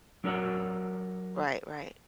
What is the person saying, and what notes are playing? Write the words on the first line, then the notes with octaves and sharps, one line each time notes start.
Right, right.
F#3 D4 G4 A#4 C#5 F#5